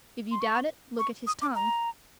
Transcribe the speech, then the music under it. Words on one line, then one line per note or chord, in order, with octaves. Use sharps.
If you doubt it, look at his tongue.
C6
C#6
C#6
D#6
D6
A#5